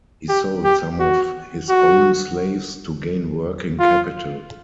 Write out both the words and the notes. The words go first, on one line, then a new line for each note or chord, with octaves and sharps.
He sold some of his own slaves to gain working capital.
G4
G4
F#4
F#4
F4